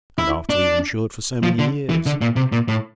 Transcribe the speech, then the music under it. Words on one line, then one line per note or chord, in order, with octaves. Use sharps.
And after we've insured for so many years!
E4
D4
F3
D3
E3
D3
A#2
C3
A#2
A2